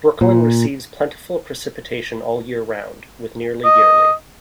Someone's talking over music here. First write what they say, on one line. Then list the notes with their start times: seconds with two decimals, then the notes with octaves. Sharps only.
Brooklyn receives plentiful precipitation all year round, with nearly yearly.
0.21 A#2
3.65 D#5